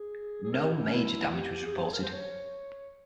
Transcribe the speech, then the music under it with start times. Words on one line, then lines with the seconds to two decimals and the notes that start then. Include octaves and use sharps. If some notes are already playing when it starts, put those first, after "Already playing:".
No major damage was reported.
Already playing: G#4
0.44 G#4
0.53 A#4
0.64 G4
0.73 E4
0.83 C#4
0.93 E4
1.34 G4
1.65 G#4
1.73 G4
1.83 G#4
1.93 A#4
2.03 C5
2.13 C#5